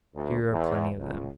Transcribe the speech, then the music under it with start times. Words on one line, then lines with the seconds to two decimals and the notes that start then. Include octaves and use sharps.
Here are plenty of them.
0.15 D2
0.51 E2
0.97 C#2